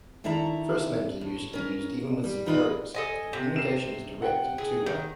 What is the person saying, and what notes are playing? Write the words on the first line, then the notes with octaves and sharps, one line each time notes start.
First names are usually used even with superiors, and communication is direct and two-way.
D#3 D4 E4 A4 E5 A#5
A2
C#4 A#4
G3
D#4 F4 B4 D5 D#5 G5
A4 D#5 G#5
C3
C7 E7
F#5 G5
G#4
D#3